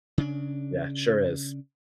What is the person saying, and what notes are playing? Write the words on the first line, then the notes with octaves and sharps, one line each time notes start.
Yeah, it sure is.
C#3 D4